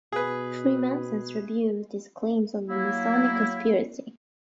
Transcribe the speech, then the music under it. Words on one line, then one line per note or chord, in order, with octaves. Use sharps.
Freemasons rebut these claims of a Masonic conspiracy.
B2 G#4 B4
F#3 A#3 E4